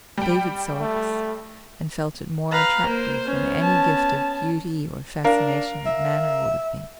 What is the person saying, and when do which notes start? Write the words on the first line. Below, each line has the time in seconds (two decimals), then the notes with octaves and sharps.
David saw this, and felt it more attractive than any gift of beauty or fascination of manner would have been.
0.17 G3 G5
0.81 A3
2.52 B4 F5 A#5
2.87 A#3 C5
3.26 B3 C#4
3.62 A5
5.24 D4 A#4 F5
5.86 E5